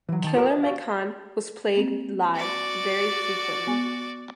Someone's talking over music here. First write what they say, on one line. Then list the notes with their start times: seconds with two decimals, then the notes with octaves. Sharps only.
"Killer McHann" was played live very frequently.
0.09 E3 F#3
0.24 D#3 A5
0.35 F4 G4 A#4 B4 C#5
0.50 D#5
0.63 F#4 G4 D5 F5
1.74 G#3 A#3 C4
2.35 F#4 D5
3.67 B3 G#5